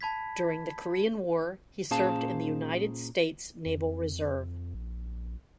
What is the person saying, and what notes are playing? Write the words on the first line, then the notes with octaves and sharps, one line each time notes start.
During the Korean War, he served in the United States Naval Reserve.
A5 B5 G#6 B6
A#2 C#4 G#4 C5 F5 A5
F2
A#1